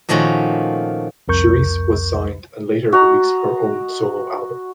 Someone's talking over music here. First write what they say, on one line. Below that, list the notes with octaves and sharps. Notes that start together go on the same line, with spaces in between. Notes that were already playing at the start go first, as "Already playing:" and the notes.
Cherise was signed and later release her own solo album.
A#2 D#3 F3 A3 C#4 F#4
C2 F2 A#4 C#6 G6
F#4 D#5 A#5